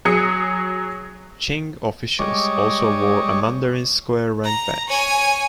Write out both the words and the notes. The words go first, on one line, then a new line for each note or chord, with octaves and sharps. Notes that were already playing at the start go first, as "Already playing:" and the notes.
Qing officials also wore a mandarin square rank badge.
F#3 G#4 D#6 C#7
G3 G#3 C#5 D#5 C#6 D6
A#5
C#5 G#5